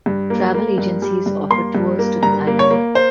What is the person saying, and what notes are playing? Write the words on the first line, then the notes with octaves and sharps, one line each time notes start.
Travel agencies offer tours to the island.
G2
A#3
A#3
G2
G3
G2
A#3 C6
G2
A#3
G2 A#5
A#3
C#5
A#3
C5